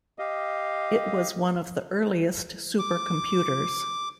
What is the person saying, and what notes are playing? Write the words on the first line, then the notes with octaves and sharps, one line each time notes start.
It was one of the earliest supercomputers.
G4 D#5 F5
D6